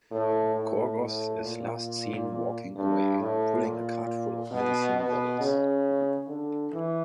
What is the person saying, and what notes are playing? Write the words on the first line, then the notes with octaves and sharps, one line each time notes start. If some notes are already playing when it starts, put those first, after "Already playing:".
Korgoth is last seen walking away, pulling a cart full of medicine bottles.
A2
A2
A2
A#2
G2
A2
A#2
B2
B2
C#3
D3
E3